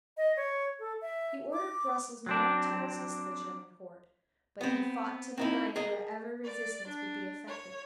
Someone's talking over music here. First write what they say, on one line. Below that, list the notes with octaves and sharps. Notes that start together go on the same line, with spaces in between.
He ordered Brussels not to resist the German horde, but he fought to the knife wherever resistance would be effective.
D#5
C#5
A4
E5
D6
F#3 C4 D4
B3 C4
C4 D#4 E4
G#4 A#4 D#5
D5
D4
C#5